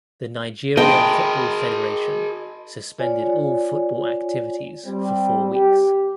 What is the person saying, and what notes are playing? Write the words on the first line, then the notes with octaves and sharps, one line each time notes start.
The Nigeria Football Federation suspended all football activities for four weeks.
G#4 A#4 D#5 G5 A5 B5 C6
F4 C#5 D5 G#5
G3 C4
G4